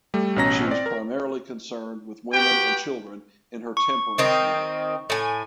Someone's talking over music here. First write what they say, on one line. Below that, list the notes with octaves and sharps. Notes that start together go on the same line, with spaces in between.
She was primarily concerned with women and children in her temperance work.
G3 A3
A1 B2 C#4 A#5 A#6
C4 D5
A#4
F#4 G4 B4 G5
C#6
D#3 C4 D#4
A2 G#5